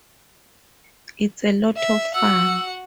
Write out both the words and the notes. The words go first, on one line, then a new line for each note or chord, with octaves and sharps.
It's a lot of fun.
E5
F#4 F#5 E6